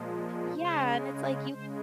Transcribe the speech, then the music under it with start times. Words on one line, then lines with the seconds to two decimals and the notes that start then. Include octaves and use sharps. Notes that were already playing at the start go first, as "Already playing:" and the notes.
Yeah, and it's, like, you
Already playing: A#2 F3 G#3
0.54 C#3 G#3 C5
1.51 C#3 G#3 C5